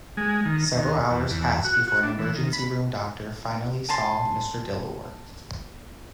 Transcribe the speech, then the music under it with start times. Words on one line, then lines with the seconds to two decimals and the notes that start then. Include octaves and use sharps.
Several hours passed before an emergency room doctor finally saw Mr. Dilawar.
0.17 G#3
0.45 D#3
0.76 D#2
1.11 E2
1.31 E2
1.64 F#4
1.87 F#4
2.03 D4
2.18 E3
2.36 D#3
2.53 B5
3.89 G#5 A5 C6